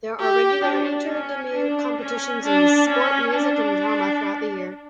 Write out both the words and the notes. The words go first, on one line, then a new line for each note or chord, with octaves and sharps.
There are regular inter-Deme competitions in sport, music and drama throughout the year.
G4
D4
C#4
D4
C#4
D4
C#4
D4